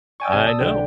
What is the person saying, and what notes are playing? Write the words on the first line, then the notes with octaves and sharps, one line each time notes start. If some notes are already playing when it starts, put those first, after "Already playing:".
I know.
D5 G5 G#5 C#6 D#6 A6
G#1 C3 C4 G#5
A5 D#6 E6
B1 D3 B4 D5 G5